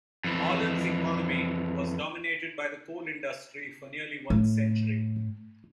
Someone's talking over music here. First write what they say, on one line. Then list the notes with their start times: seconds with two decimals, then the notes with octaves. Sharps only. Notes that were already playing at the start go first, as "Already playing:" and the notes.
Ahlen's economy was dominated by the coal industry for nearly one century.
0.24 F2 E3
4.30 A2